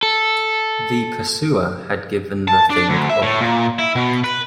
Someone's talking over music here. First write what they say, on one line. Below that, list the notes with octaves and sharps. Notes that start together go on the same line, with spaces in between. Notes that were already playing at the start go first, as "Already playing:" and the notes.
The pursuer had given the thing up.
A4
A5
D4
D2
E5
A2
A#2
E4
B2
B4